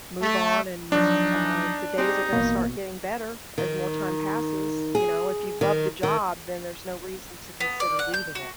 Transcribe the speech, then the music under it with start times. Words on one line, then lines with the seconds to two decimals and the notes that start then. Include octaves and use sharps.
move on and, uh, the days are gonna start getting better, as more time passes, you know, if you love the job then there's no reason to consider leaving it.
0.22 A3
0.92 F3 F#3 D4 D#4
1.98 C4 D#4 G4 G#4
2.33 A1 B2 A#3
3.58 D#3
4.95 G#4
5.61 D#3
6.03 D#3
7.60 B3
7.80 D5
7.99 F#5
8.14 G6
8.35 F#4